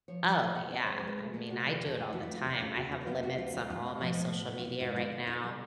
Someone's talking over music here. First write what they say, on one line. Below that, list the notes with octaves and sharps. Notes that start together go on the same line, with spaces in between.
Oh, yeah, I mean, I do it all the time. I have limits on all my social media right now,
F3 C#5
F3 D5
F3 D#5
B2 F#5
C4 D5
G#3 C#5
C5
G#3
B4
A3
A3 G#4
C3 F#4
F3 G#4
E3
A4
A3 G#4
E3 F#4
E4
A3
F4
D#2 G4
C#3 F4
D#2 F#4
D#2 F4
B3 F4
B3 F#4
D2 F4
B3 F4
A2 F4
A2
F3
A2
B3
B3
F4
B3 E4
G#2 F4
D3 F4
B3
D3 E4
G3